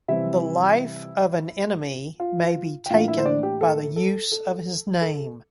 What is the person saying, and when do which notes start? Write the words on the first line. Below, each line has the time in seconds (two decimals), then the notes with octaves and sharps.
The life of an enemy may be taken by the use of his name.
0.08 C3 E3 G3 C4 E4 E5
2.20 F4 F5
2.86 G5
2.90 A2 E3 A#3 D4 F4 F5
3.08 E4 E5
3.18 C5
3.25 D4 D5
3.43 G4
3.61 A4
3.96 A4
4.32 A4
5.01 A4